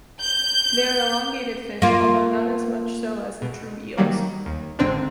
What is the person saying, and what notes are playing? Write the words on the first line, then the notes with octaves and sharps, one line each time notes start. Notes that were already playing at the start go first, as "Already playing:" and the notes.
They are elongated fish, although not as much so as the true eels.
G6
A#3 F4
B2
D#3 F#3 G3 A#3
D#2
G#1 G#2 D3 C4 D4